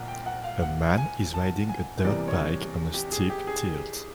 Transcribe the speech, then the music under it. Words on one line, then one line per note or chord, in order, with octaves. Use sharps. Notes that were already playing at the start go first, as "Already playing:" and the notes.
A man is riding a dirt bike on a steep tilt.
Already playing: C2 A#2 F3 F#5
G5
F#5
F5
F#5
G#5
A5
G#5
E2 C3 E3 G3 A#3 D5
C#5
G4
G#4
G4
G#4